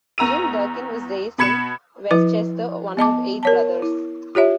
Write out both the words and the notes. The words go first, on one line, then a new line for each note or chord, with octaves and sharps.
Jim Durkin was raised in Westchester, one of eight brothers.
E2 A#5 E6 D#7
B2 B5 G#6 C#7 E7
F3 E4 B4
B3 D#5 A5 D6
A#4 C#5 A5
E4
F4 G4 C#5 E5